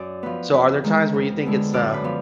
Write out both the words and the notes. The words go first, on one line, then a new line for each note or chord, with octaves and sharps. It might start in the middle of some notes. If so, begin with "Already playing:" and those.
So are there times where you think it's, uh
Already playing: F#2 D5
F3 B3 B4
F2 B4
D#3 G#3
F2
D3 G#3 B3
F#2 D5
B4
F3 B3